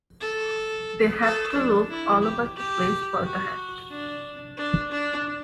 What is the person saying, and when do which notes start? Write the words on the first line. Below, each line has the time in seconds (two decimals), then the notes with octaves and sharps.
They had to look all over the place for the hat.
0.20 A4
1.22 A4
1.55 D4
1.89 E4
2.22 G4
2.56 G4
3.23 F#4
3.90 D4
4.57 D4
4.91 D4